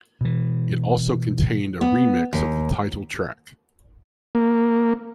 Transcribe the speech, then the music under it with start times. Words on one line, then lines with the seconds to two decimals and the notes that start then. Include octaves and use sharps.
It also contained a remix of the title track.
0.21 B2 E3
1.81 B3
2.33 D#2
4.35 A#3